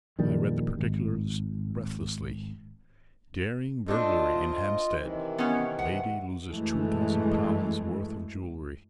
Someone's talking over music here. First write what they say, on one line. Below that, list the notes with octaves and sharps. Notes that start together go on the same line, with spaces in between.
I read the particulars breathlessly: DARING BURGLARY IN HAMPSTEAD--LADY LOSES TWO THOUSAND POUNDS' WORTH OF JEWELRY.
A#1 D#3 G3
G#1
A3 C4 D4 F4 D#5
C3 D#3 E3
B3 C#4
F#5
F#2 E3 G#3 A3